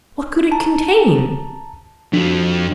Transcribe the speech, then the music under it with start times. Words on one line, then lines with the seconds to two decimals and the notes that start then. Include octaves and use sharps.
What could it contain?
0.52 A5 A#5
2.13 F2 D4 F#4